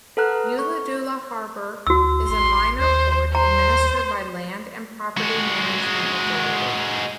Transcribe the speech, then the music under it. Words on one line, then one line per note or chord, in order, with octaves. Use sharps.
Ulladulla Harbour is a minor port administered by Land and Property Management Authority.
A4 B4 F#5 A#5 F6 F#6
C#6
D2 F#4 E6
A1 C6
D#2 C5
C5 A#5
G#3 F#4